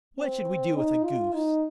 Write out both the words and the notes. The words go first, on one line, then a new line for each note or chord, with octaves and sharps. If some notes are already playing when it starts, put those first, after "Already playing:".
What should we do with a goose?
C4
D#4
F4
D#4